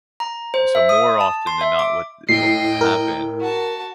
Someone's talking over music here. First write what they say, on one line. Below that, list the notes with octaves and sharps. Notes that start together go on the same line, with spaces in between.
Uh, so more often than not, what th what will happen
A#5
C5
E5
D#6
A5
C6
E5
D6
A2 D#5 G5 C7
A#4
F#4 A5